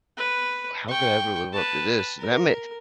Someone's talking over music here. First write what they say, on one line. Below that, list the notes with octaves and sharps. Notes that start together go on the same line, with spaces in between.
how could I ever live up to this? That ma
B4
G5 C#6
B4 A5
A#4